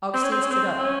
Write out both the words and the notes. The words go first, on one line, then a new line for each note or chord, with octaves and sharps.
Augustine stood up.
C4
C#4
C4
C#4
C4
C#4